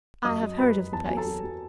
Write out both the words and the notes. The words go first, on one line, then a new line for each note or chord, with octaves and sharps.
"I have heard of the place."
F#2 D#5 D#6
F#3
F#2 B4 B5
F#2
E2 A5
F#3 G#5
A4 A5
F#3
F#3